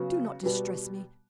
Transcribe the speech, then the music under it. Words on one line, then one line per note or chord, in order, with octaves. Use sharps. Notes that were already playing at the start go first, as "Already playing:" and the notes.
Do not distress me.
Already playing: C#3 F#3 B3 F#4
B2 G3 B3